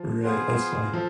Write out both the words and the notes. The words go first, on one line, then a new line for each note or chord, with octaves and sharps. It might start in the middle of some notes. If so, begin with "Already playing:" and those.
Right, that's funny.
Already playing: F3
B3 F4 G#4 C5
F3 A4